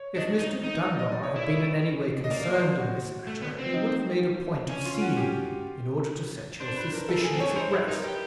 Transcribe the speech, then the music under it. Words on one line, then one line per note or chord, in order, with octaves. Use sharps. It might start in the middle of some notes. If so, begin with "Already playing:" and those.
If Mr. Dunbar had been in any way concerned in this matter, he would have made a point of seeing you, in order to set your suspicions at rest.
Already playing: C#5
D4 D#5
D#4
D#4
D5
D#5
D5
C#5
E4
D#5
A#3 D5
C5
F#4
A3
B3
C4
D#4
C#4
F4
F#4
G4
D4 C5
B4
A#4
A4
G#4
C4
C#4 C#5
D4
D#4 C5
E4 B4
D#4 A#4
G4